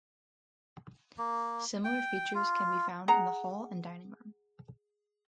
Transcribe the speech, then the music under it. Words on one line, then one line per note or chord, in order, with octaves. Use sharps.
Similar features can be found in the hall and dining room.
A#3
G5
F4
G#4 F#5 A#5